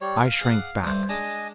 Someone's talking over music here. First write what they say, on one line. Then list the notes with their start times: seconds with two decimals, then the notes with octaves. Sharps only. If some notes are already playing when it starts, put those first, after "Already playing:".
I shrank back.
0.01 G3 C#5
0.22 F5
0.41 G#4 D5 F#5
0.83 G2 A3 C5
1.09 G#3 D4 D#5 G#5